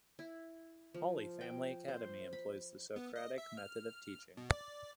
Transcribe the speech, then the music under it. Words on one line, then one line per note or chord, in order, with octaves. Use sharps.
Holy Family Academy employs the Socratic method of teaching.
E4
F3
G5
C5
B5
B3
D#5
E5
F6
B2
D5